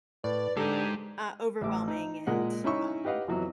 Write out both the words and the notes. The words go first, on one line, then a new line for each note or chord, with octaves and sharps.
uh, overwhelming and, um,
A2 B4 D5
D3 G#3 D#4 G4 A4 C5
A1 A3 E5 D6
D#4
A#2 G#3 A#4 D#5 F#5
C#4 D#4 E4 E5 C#6
G4 B4 D#5 F5 F#5
F2 E3 F#3 B3